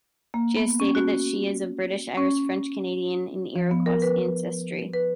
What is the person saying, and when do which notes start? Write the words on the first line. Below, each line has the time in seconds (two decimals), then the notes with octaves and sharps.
She has stated that she is of British, Irish, French Canadian, and Iroquois ancestry.
0.34 A#3
0.57 B3
0.80 C#4
0.95 F#4
2.17 C#4
3.56 F3
3.71 B3
3.86 A#4
4.02 B4
4.93 B4